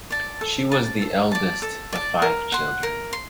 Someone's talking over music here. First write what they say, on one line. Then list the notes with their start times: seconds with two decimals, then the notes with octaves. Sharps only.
She was the eldest of five children.
0.10 D5 A5
0.41 A4
0.72 D5 A5
1.02 A4
1.31 D5 A5
1.62 A4
1.93 D5 A5
2.22 A#4
2.52 F#5 C6
2.83 A#4
3.13 C6